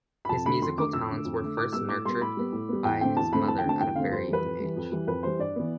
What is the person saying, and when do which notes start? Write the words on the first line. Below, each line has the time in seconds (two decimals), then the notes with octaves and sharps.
His musical talents were first nurtured by his mother at a very young age.
0.25 B5
0.29 F2 A5
0.46 D3 A3 B5
0.62 F2 C6
0.78 D3 A3 D6
0.93 F2 E6
1.09 D3 A3
1.25 F2
1.42 D3 A3
1.57 A2 D6
1.73 G3 B3 E6
1.89 A2 D6
2.05 G3 B3 C6
2.21 A2 B5
2.37 G3 B3
2.52 A2
2.69 G3 B3
2.85 E2 G5
3.01 D3 A3 C4 G5
3.17 E2 A5
3.32 D3 A3 C4 B5
3.48 E2 A5
3.58 G5
3.65 D3 A3 C4 A5
3.80 E2 G5
3.96 D3 A3 C4 F5
4.12 F2 C5
4.28 E3 G3 B4
4.44 F2
4.60 E3 G3
4.76 F2
4.92 E3 G3
5.07 F2 B4
5.23 E3 G3 C5
5.39 G2 D5
5.56 E3 B3